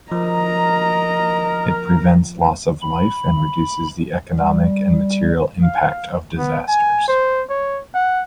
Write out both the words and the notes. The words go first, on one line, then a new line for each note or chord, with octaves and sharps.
It prevents loss of life and reduces the economic and material impact of disasters.
F3 A#4 D#5 A#5
B5
G3
F5
B3
G#5
C5
C#5
F#5